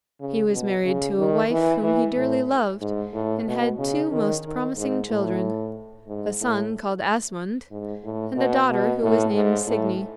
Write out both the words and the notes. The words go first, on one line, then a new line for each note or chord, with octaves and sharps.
He was married to a wife whom he dearly loved, and had two most promising children--a son called Asmund, and a daughter who was named Signy.
C#3
B2
C#3
D#3
E3
E3
A2
G#2
A2
B2
C#3
D#3
D#3
G#2
A2
G#2
A2
G#2
A2
B2
B2
A2
G#2
A2